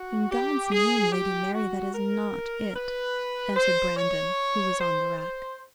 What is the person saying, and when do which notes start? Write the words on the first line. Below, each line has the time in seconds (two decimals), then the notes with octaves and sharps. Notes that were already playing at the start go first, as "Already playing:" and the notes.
"In God's name, Lady Mary, that is not it," answered Brandon, who was on the rack.
Already playing: F#4
0.31 G4
0.72 G#4
1.12 G4
1.53 F#4
1.94 A#4
2.75 B4
3.56 C5
3.96 C#5
4.79 C5
5.18 C5